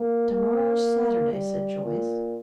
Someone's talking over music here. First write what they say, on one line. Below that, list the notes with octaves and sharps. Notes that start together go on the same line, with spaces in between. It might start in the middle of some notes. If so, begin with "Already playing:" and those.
"To-morrow's Saturday," said Joyce.
Already playing: A#3
A#3
G3
A#2